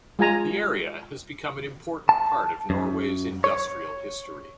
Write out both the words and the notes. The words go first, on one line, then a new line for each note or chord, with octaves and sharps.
The area has become an important part of Norway's industrial history.
G#3 F4 G#5 A#5
A5
F#2
C#5